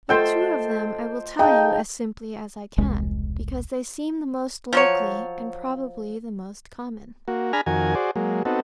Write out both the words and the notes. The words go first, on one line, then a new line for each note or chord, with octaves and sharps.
But two of them I will tell you as simply as I can, because they seem the most likely, and probably the most common.
A3 F4 A4 C5 D#5 G5 A5
D#4 G#4 F5 G5 A5
E1 C2 G#3
F3 F#3 C#5
A#3 F#4
D4 G#4 G#5 A#5 B5 F6
F2 D#3 F#4 A#4 G#5
F#4 G#4 C5 D5
F#3 G#3 A#3
B3 C4 D#4 F#4 A4